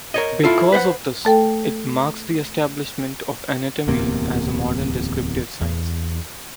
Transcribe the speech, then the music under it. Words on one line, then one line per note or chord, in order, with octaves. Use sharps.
Because of this, it marks the establishment of anatomy as a modern descriptive science.
A#4 C#5 D#5
E4 F4 A4
B4 C5 E5 F#5
A3 A4 G5
D1 E2 C3 A#3
E2